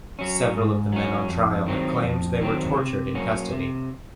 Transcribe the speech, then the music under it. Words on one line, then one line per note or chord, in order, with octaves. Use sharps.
Several of the men on trial have claimed they were tortured in custody.
F#3 C#4
G#2
F#3 C#4
F2
D#3 F#3 C4
F2
D#3 F#3 C4
C3
F#3 A#3 C#4
C3